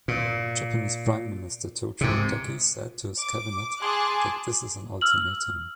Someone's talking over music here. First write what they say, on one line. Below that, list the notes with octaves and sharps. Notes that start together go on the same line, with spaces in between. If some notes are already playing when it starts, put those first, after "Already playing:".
Japanese Prime Minister Tojo Hideki said to his cabinet that this is an ultimatum.
A#2
G#2 C3
D6
G#4 G#5 A5 C6 D6 F#6
E6 F6 F#7